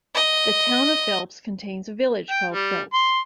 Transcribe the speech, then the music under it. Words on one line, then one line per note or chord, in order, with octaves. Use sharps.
The Town of Phelps contains a village called Phelps.
D#5
G5
G3
C6